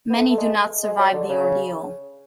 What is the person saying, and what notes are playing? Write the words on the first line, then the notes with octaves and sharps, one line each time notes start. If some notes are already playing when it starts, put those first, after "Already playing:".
Many do not survive the ordeal.
B3
A3
A3
G#3
G#3
F#3
D3
C#3